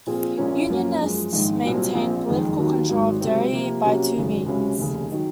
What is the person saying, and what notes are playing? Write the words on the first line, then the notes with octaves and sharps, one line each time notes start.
Unionists maintained political control of Derry by two means.
A#2 F3 C4 F4 G#4
A#1 A#2 F3 A#3 C#4
F#2 F3 A#3 C#4
F#2 F3 G#3
A#1 G#2 D#3
C2 A#2 F#3 C4
A#1 A#2 F3 C4
F#1 F2 D#3 G#3
D#2 D#3 F#3 A#3
G#1 G#2 F#3
C#2 C3 F#3 C4
C3 F3 A#3
C3 F#3 A#3 C#4 F#4
G#1 F#2 C#3 F#3
C#2 C3 F#3 C#4
F1 D#2 C#3
D#3 F#3